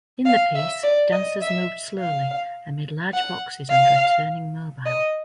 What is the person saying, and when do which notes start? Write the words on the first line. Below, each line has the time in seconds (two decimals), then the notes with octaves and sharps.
In the piece, dancers moved slowly amid large boxes under a turning mobile.
0.25 F5
0.55 E5
0.83 D5
1.12 D#5
1.41 E5
1.98 F5
3.13 F#5
3.70 F5
4.85 D#5